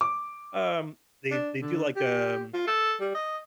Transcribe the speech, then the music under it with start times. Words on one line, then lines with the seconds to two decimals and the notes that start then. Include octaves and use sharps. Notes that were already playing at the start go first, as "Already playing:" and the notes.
um they they do like, um
0.01 D6
1.31 D4
1.61 D3
1.96 G4
2.54 F4
2.67 A4
3.01 G3
3.15 D#5